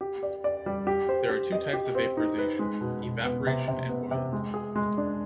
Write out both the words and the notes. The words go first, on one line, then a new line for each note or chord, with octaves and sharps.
There are two types of vaporization: evaporation and boiling.
G4
D5
D5
G3
G4
C5
G4
D#5
G4
C4
D#4
B4
G#3
B2
B2
B3
C3
C3
B3
C3
G#3
G#4
G#3
D4